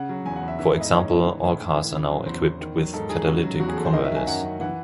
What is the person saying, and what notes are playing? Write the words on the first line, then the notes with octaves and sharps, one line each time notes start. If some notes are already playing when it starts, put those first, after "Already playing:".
For example all cars are now equipped with catalytic converters.
Already playing: C#3 F#5
F#3
E2 G#5
F#5
E2
E5
E3 E5
E5
G#2
D#5
G#2 C#5
E3
E3
A2
A2
E3
C#3
F#3
E2 C5
E2
D#3
F#3
G#2 A4
G#2 G#4
C#3 F#4
F#3
E2 F#4
G#4
E2 A4
C5
D#3 D#5
E5
F#3
G#5
F#2 F#5
F#2
E3 F#5